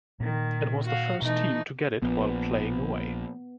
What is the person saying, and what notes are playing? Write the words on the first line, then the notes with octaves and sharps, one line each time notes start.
It was the first team to get it while playing away.
A#2 D#3
F#4 F5
B2 E3 A3 D#4
A#1 B3